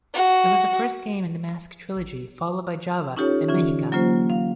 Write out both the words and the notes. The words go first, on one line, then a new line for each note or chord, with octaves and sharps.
It was the first game in the Mask Trilogy, followed by "Java" and "Mexica".
F#4
C#4 D#4 F4 G4 A4 C#5
D3 E3 C#4 F4
F#3 A#3 C#4 F4 C5
F5